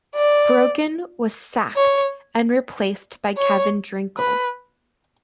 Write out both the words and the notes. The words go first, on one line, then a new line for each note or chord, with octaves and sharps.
Brogan was sacked and replaced by Kevin Drinkell.
D5
C#5
C#5
B4